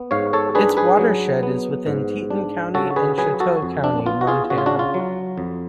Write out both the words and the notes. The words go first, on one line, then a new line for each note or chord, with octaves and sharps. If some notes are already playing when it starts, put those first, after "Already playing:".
Its watershed is within Teton County and Chouteau County, Montana.
Already playing: B3
G#2 C#5 F5
A4 C#5
D4 G#4 B4
G#4 B4
F#3
B3
G#2
D4
C#3 F#4 A4
G#4 B4
F#3 G#4 B4
F#4 A4
F2
D4
B3 F4
F#4
F4 G#4
C#3 F#4
F4
D4 F#4
F4
F#3
F2